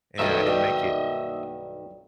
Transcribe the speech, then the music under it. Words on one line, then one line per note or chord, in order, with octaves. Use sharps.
and I didn't make it.
B1 G2 D#3 A3 B3 D#5 E5
A#3 F#4 D5 G5